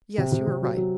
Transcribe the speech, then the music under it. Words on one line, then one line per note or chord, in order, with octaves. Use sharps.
Yes; you are right.
C3
C3
C3
F#3
F#3